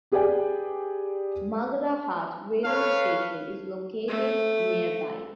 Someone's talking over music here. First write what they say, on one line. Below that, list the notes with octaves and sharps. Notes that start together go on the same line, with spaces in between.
Magra Hat railway station is located nearby.
G4 G#4 B4 D5 G5 G#5
A4 B4 C#5 F5
A3